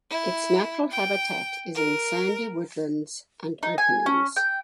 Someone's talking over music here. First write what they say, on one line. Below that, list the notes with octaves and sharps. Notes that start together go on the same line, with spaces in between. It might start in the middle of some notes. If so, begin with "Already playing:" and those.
Its natural habitat is in sandy woodlands and openings.
E4
G5
A#4
D#4
G#5
C#4
G5